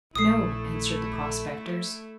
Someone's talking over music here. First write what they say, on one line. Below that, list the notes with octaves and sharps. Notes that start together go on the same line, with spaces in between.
'No,' answered the prospectors.
A#1 A3 E4 D#6 C7